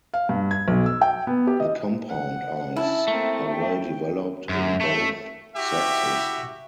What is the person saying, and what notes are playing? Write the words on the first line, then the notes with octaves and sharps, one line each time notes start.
The compound eyes are well developed in both sexes.
F5
G2
G#6
B1
E6
G5
B3
G4
D#5
F#5
C#4 E4 A5
A3 A#3 C4
G5
F#2
A3
E4 F#4 G4 E5